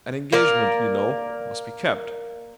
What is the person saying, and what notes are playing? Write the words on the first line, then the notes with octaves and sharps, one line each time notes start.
An engagement, you know, must be kept.
A#3 A#4 D5